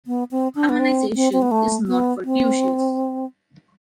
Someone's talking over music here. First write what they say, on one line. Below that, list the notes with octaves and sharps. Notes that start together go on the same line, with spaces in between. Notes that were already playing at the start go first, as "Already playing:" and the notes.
Harmonization is not fortuitous.
B3
C4
D4
B3
C4
C4
C4
B3
A3
B3
C4